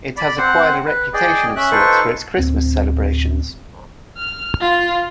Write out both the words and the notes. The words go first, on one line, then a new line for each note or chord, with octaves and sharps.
It has acquired a reputation of sorts for its Christmas celebrations.
D5 B5
C4 C5 F#5
B4
G#4 D5 D#5 G5
C#4 E5 F#6
D#4 F4 A4 B4 C5 C#6
D1 C4
F6
F4